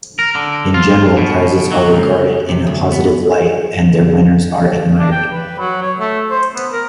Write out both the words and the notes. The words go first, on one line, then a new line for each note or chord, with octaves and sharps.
In general, prizes are regarded in a positive light, and their winners are admired.
A#4
D3
F4
B2
F#3
C#2
C3
D2
B3
D4
G5
B4
F#3
C#5
A3
C5
B3
A#4